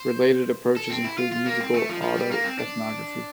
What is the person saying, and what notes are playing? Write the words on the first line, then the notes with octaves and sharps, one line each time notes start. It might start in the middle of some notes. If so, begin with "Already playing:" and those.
Related approaches include musical autoethnography.
Already playing: C5
A4
C4
E4
F4
F4
A#3
C4
A3
F3
F3
G3
A#3
C4
D4